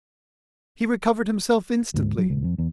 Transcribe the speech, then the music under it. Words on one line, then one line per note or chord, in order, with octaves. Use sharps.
He recovered himself instantly.
D2 G#2
F#3
D#1 C#2
F2
E2